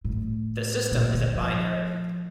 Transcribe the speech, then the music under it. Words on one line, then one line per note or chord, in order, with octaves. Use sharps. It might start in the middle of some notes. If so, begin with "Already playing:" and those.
The system is a binary.
A2
A#2
D3
F3